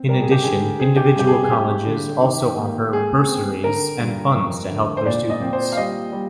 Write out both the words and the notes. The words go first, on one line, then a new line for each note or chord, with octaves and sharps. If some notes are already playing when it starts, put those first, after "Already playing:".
In addition, individual colleges also offer bursaries and funds to help their students.
Already playing: C4
G3 A#4
G#4
G4
D3 G#4
C4 G#4
G4
G#4
G2 G4
G#4
G#4
C4 G4
D3
D#3
A#3
G#3 G#4
C4
D3 A#4
G2
F2
D3
C5
A#2 D5
D#5
C4
C5
F5
G3 D#5
G3